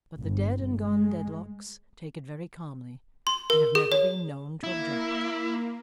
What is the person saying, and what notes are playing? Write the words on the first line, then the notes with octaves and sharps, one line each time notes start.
But the dead-and-gone Dedlocks take it very calmly and have never been known to object.
G1
G#3
C6
A#4
G#4
C#5
A#3 E4